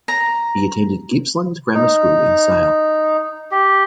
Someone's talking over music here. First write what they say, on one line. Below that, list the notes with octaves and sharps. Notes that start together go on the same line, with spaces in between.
He attended Gippsland Grammar School in Sale.
A#5
D#4
G4